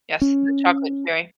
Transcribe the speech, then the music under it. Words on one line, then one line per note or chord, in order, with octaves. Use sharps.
Yes, the chocolate cherry.
C#4